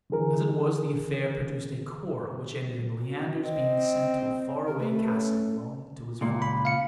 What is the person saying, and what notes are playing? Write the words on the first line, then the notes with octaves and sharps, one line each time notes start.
As it was, the affair produced a quarrel, which ended in Leander's being sent to a far-away castle belonging to his father.
D3 E3 G#4 A#4
F#4
C4 D#5
G4 A#4
A3 B4
C#4
C#2 A#2
B5
F5 C#7